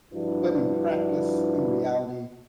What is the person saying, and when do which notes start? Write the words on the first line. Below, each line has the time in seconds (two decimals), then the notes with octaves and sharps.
but in practice, in reality,
0.14 G2 F3 D4 E4 F#4 B4